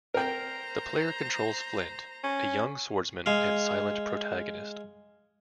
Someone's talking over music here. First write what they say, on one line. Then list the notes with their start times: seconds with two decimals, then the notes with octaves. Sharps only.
The player controls Flint, a young swordsman and silent protagonist.
0.14 A#4 C5 G5 A#5
2.24 C#4
3.26 G#3 F5